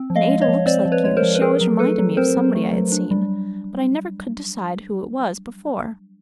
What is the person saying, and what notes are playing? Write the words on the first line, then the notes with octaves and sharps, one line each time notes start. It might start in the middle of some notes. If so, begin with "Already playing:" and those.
And Ada looks like you--she always reminded me of somebody I had seen, but I never could decide who it was before.
Already playing: C4
F3
D#5 F5
G#3
C#5 D#5
F3
C4 C5 D5
F3
B4 C#5
G#3 C#5
A#4 C5
F3
B4
C4 G#4 A#4
F#3
A3 A4 B4
F#3
C4 A#4 C5
F#3
A3
F#3
D4
G3